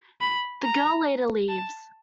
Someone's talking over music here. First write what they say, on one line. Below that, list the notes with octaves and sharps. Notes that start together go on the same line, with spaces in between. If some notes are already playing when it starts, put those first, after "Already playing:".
The girl later leaves.
B5
A#5
A5